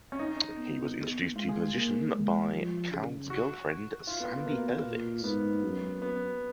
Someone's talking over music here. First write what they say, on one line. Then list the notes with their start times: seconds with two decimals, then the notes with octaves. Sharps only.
He was introduced to the musician by Cal's girlfriend Sandy Hurvitz.
0.12 C#4
0.19 D#4
0.57 B3
0.97 B3
1.35 G#3 F4
1.49 G#4
1.74 A#3
2.13 G#3
2.52 F3
2.91 C#3
3.30 F#4
4.07 F4
4.20 B3
4.33 B3
4.46 B2 A#3
4.85 A#2
5.23 G#2 B3
5.63 F#2
6.02 B3